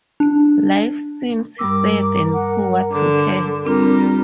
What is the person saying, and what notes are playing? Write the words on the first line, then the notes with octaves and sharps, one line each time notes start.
Life seems sad and poor to her.
D4
G2 G3 A#4 D6 E6
F#5
D3 D6
G3 C4 D4 F4 A#4